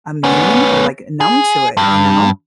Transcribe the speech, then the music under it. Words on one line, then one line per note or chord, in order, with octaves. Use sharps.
immune or like numb to it, you know.
B3 C#4
G#4
G2